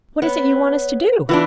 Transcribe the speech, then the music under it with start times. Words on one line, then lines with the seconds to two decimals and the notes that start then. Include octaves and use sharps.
"What is it you want us to do?"
0.22 B3 C#5
1.29 E3 B3 D4 F4